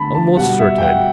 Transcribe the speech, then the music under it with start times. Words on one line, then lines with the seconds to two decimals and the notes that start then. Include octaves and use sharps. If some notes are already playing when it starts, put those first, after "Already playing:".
Almost certain.
Already playing: D3 A3 A5 B5
0.15 A5
0.37 B2 G3 F#5
0.59 E5
0.78 G5
0.82 F#5